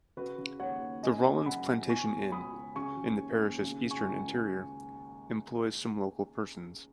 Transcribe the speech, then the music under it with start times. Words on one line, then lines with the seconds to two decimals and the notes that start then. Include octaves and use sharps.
The Rawlin's Plantation Inn, in the parish's eastern interior, employs some local persons.
0.17 C#3 F#4 B4
0.38 C#3
0.60 D#2 C#5 F#5
0.82 D#2
1.03 C#3 D#5 G#5
1.25 C#3
1.46 F#2 F#5 B5
1.68 F#2
1.89 B2 G#5 C#6
2.11 B2
2.32 C#2 B5 D#6
2.54 C#2
2.76 C#3 G#5 C#6
2.97 C#3
3.19 D#2
3.40 D#2
3.62 C#3
3.83 C#3
3.91 G#5 C#6
4.05 C#2